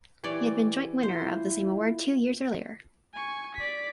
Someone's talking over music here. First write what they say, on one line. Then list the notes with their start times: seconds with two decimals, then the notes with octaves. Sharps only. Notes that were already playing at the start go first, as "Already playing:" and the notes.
He had been joint winner of the same award two years earlier.
0.24 E3 G4 C#5 D5
1.03 E4 F4 C5
3.14 G#5 C#6
3.55 D5 B6